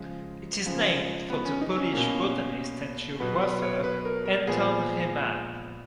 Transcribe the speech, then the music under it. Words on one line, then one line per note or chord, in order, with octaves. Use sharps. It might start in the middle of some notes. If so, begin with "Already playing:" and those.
It is named for the Polish botanist and geographer Anton Rehmann.
Already playing: C#3 F3 G#3
C#3 F3 G#3
B3
C#4
D#4
C#4
B2 A#3 C#4
B2 F#3 B3 B4
B4
C#5
B4
A#4
A#4
A#2 F3 G#3 B3 G#4